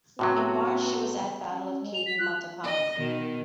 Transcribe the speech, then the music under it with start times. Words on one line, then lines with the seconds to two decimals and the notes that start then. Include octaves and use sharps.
In March she was at Battle of Cape Matapan.
0.19 A2 C3 F#3 B3 F#4
1.50 C#4
1.80 G#3
1.94 F7
2.06 F#3 B6
2.18 F4 F#6
2.64 D#5
2.97 B2 D#3